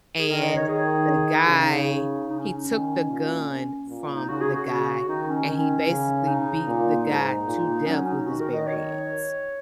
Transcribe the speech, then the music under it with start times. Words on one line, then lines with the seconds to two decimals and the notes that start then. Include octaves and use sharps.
and the guy he took the gun from the guy, and he basically beat the guy to death with his bare hands.
0.18 G#4
0.29 D#3 A#4
0.43 D#5
0.56 C#5
0.68 D#3 G#4
1.48 C#3 D#4
2.29 D#4
2.39 C#4
2.60 C#4
2.68 D#3
3.08 A#2
3.88 A#2
4.14 D#4
4.28 C#3 F#4
4.41 G#4
4.54 F#4
4.67 C#3
5.08 D#3 D#4
5.28 C#4
5.47 D#3 C#4
5.87 C#3
6.27 D#4
6.67 A#2
7.07 G#2 D#4
7.47 A#2
7.86 F#3 C#4
8.07 D#4
8.27 D#3 F#4
8.40 A#4
8.54 D#5
8.67 C#5